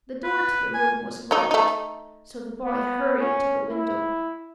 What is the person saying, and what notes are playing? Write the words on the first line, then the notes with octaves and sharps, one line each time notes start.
The door to the room was locked, so the boy hurried to the window.
B4
G#5
F#3 A3 D#4
A3 D#4
B3
C#4
E4